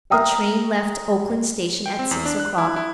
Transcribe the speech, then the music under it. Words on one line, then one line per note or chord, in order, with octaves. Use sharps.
The train left Oakland station at six o'clock.
E5 G5 A#5 D#6 F6
G5
C4
E2
D4
F#6
E4
E4